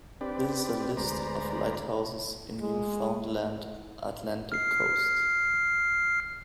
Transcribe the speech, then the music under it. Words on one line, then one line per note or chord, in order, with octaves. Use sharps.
This is a list of lighthouses in Newfoundland Atlantic Coast.
C4 D4 G4 B4 D5
D2 G#3 B4 C5 D5 A#5
G#3
F6 C7